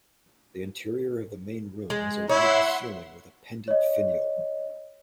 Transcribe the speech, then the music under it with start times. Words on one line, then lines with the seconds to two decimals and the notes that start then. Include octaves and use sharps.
The interior of the main room has a ribbed ceiling with a pendant finial.
1.90 G#3
2.29 E4 C#5 E5 F#5 C6
3.68 C#5 D#5